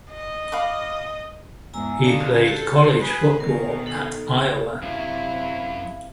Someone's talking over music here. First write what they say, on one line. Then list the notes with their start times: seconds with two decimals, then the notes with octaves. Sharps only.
He played college football at Iowa.
0.12 D#5
0.52 F5 B5 D6
1.73 E2 G#2 G#5 A#5 E6
2.04 D3 C#4 D#4 F5 A5
2.46 F#4 G4 A4
2.99 G#4 B4
3.40 B2 D#3 A#4
3.86 D#4 A4
4.82 F#2 C3 F#3 E4 F5